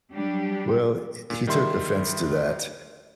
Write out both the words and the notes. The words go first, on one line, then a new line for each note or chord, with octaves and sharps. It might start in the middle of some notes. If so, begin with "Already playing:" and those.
Well, h he took offense to that
F#3 G3 D4 G4
A#2
D#3 G3 E5 C6